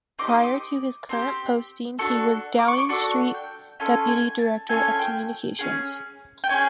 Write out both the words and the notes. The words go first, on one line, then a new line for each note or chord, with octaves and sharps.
Prior to his current posting he was Downing Street deputy director of communications.
C4 D#4 G4 D6
D#6
D6
C4 D#4 G4
D4 F#4 A4 C#6
D6
C#6
D6
D4 F#4 A4 C#6
G5
C#4 F4 A4 G#5
G#5
A5
C#4 F4 A4 G#5
G#5
G5
C#4 F4 G#4
G5
C#4 F4 G#4 G#5